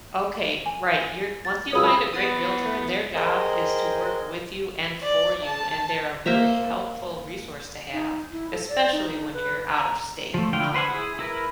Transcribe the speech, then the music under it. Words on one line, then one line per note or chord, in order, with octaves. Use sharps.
Okay, right, you're once you find a great realtor, their job is to work with you, and for you, and they're a really helpful resource to have, especially when you're out of state, um,
G#5
A6
C#2 F#2 C#5 B5 D#6 E6
B3 E4 B4 F#5 D#6 A6 C7
G#4 A#4 C5 D#5 G5
D5
A5
A#3 C5 E5 A#5
D#4
E4
A4
D5
D#4
B4
A#5
F3 A3
D3 F4 G5
B4 C5 F#5 G#5
E4 G#4
E4 A#4 B4